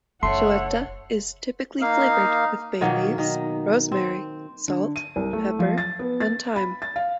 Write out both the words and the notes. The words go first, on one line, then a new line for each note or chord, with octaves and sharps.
Goetta is typically flavored with bay leaves, rosemary, salt, pepper, and thyme.
F#1 A3 C#5 F#5 C6
A#3 D#4 F5
B2 D#3 F#3 A#3
D#3 D#4
C4
D3
D#7
C2
A3
F3
A6
B3
A6
B5
A6
F5